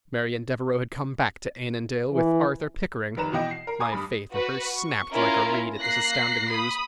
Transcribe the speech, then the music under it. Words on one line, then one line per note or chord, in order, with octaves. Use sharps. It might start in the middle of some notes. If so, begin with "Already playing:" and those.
Marian Devereux had come back to Annandale with Arthur Pickering; my faith in her snapped like a reed at this astounding news.
E3
F1 D#3 B4 A#5 E7
B2 E3 D#5 G5
C7
A#4
G#5 A#5 C#6 D#6
G2 B5
F#4 B4
C#6
C#4 E4 F4 A#4
A#3 F#6 A#6 C7
B5 D#6